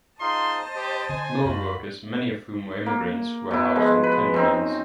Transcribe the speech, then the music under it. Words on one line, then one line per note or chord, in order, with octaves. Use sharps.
Mill workers, many of whom were immigrants, were housed in tenements.
D#4 F4 G#4 C5 D#5 A5 C6
G4 D#6
D3 C4 G#5
F#2 F4 F#4 B5
A#3
B2 E4
F3 G#3
B4
F#2 C4 D#4